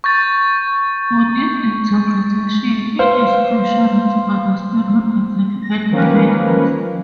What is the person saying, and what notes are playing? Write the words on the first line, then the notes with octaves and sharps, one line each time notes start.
For this interpretation, it is crucial to understand what exactly an event is.
C#6 G6 A6
B4 C5 F5
A#6
D#3 F3 A#3 C#4 A#4 B4